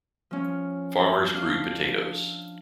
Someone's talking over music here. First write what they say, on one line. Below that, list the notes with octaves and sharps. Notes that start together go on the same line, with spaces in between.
Farmers grew potatoes.
F3 C#4
D4 F5